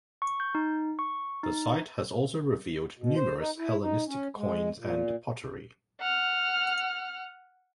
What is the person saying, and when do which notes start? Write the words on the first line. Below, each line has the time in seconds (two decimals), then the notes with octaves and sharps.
The site has also revealed numerous Hellenistic coins and pottery.
0.22 C#6
0.40 G6
0.55 D#4
0.99 C#6
1.43 D#4
2.97 B2
3.16 C5
3.38 D#4
3.58 E4
3.81 D#4
4.07 C#4
4.36 G#3
4.78 A#2
6.01 F#5 F6